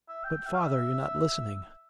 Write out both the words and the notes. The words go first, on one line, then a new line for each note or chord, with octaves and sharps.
'But, father, you're not listening.
E5
G5
E5
F5
E5